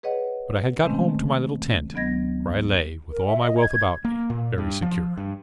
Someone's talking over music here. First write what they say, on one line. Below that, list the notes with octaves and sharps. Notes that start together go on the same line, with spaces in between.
But I had got home to my little tent, where I lay, with all my wealth about me, very secure.
G#4 B4 C#5 D#5 F#5
C3 D#3 G#3 A3 C4 C#4
D2 F#3 B3 D#5 G#6 A#6
A#4
E5
D#5
G#6
A#3
A#2
G2
F3
G2